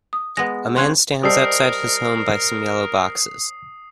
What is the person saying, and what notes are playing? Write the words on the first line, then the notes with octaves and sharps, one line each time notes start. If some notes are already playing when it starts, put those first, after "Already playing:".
A man stands outside his home by some yellow boxes.
D#6
G#3 B3 A#6
C4 C#4 F4 C6 F#6 G#6
G3 A4 A#4 C5 D5 D#5 D#6 C7